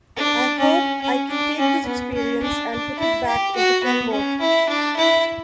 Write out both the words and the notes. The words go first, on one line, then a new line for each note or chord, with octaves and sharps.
I hope I can take this experience and put it back into film work.
D4
C#4
C#4
D4
C#4
B3
C#4
D4
D4
E4
G4
F#4
B3
C#4
E4
D4
E4